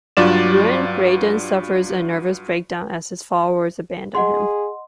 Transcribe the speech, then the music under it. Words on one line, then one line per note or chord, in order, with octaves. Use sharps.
Ruined, Graydon suffers a nervous breakdown as his followers abandon him.
G2 F#3 F4 D5 E7
G#4 D#5 F#5 C6